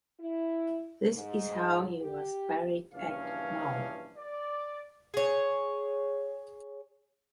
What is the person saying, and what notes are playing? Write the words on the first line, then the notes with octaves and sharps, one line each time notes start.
This is how he was buried at Meaux.
E4
G#2
G4
A#1 G2 C#3 E3 C#4 F5
D5
G#4 C#5